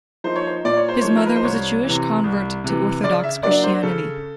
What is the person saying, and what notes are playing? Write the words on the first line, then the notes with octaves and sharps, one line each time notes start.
His mother was a Jewish convert to Orthodox Christianity.
F3 A#3 D#4 C5
C#5
C5
A#2 D5
C#5
C5
F3 A#3 D#4 C#5
A#4
B4
C5
C2 C#5
C3 E3
C2
C3 E3
C#3 D5
E5
F#3 A#3 D4 D5
C5
C#3 A4